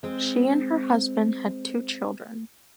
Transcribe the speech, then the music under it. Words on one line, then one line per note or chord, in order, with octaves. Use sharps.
She and her husband had two children.
G#3 C4